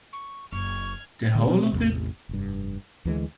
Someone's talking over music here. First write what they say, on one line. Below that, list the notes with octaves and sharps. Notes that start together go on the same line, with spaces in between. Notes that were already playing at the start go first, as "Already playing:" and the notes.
The whole of it?.
C#6
F#1 C#6 F6 G#6
D3 G#3
B2 C4
A1 E2 G2 C3
F1 G2
D2 E3 F#3 G#3